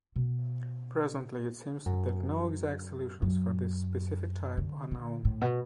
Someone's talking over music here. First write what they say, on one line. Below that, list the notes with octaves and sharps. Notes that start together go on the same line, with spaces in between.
Presently, it seems that no exact solutions for this specific type are known.
B2
F#2
F#2
D3
D3
A2
B2